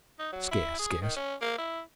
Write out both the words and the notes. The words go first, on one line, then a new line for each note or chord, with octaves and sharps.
Scarce, scarce!'
D#4
F#3
E4
G#4
D#3
C#4
A#3
E4